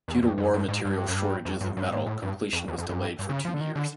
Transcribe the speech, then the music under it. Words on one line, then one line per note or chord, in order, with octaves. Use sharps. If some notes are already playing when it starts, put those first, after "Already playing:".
Due to war material shortages of metal, completion was delayed for two years.
E2
F2
F#2
G2
G#2
G2
F#2
G2
F2
G2
G2
G#2
A2
G2
F2
E2
F2
F#2
G2
G2
C#3
F3
D3
D#3
D3